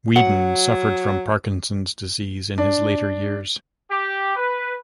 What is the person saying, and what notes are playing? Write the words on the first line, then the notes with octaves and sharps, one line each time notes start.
Weedon suffered from Parkinson's disease in his later years.
F#3 F#5
D4
G4
B4